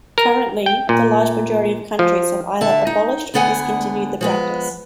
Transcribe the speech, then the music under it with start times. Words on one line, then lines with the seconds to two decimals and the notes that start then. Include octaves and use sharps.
Currently, the large majority of countries have either abolished or discontinued the practice.
0.18 A#4
0.66 G5
0.89 A#2
1.99 F3
2.61 D3 E5 A5
2.87 D#4
3.34 D2 D3 B3 F#5 G#5
4.21 F3 G#3 B3